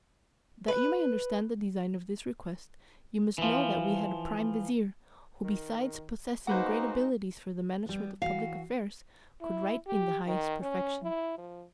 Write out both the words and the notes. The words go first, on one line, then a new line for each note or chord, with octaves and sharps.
That you may understand the design of this request, you must know that we had a prime vizier, who besides possessing great abilities for the management of public affairs could write in the highest perfection.
B4
E3 F3
D#3
G#3 A#3 D#4 F#4 B4 C5 F#5
G3 B3
E3 F#4 F5
E4
G4
D#3
C#4
E4
F3